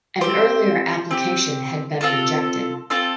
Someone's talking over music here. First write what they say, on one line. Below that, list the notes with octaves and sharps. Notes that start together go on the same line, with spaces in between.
An earlier application had been rejected.
C4 G4 C5
C4 G4
C4 F4 A4
C4 F4 A4